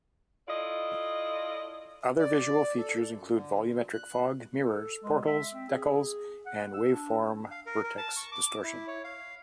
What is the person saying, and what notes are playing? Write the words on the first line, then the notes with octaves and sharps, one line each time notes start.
Other visual features include volumetric fog, mirrors, portals, decals, and wave-form vertex distortion.
E4 F4 A4 D5 D#5
D5
A4
F#2
D3
A#2
F#6
A4
G#3
E5
C4
G#4
F#5
E6
D4
F5
A#4
A#4
A5
C#6
D6
E4
C#5
F5